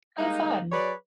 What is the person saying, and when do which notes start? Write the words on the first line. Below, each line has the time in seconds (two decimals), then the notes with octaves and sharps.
Oh fun.
0.18 G3 G#3 A#3 D#4
0.72 F#3 G#4 B4 C#5 D5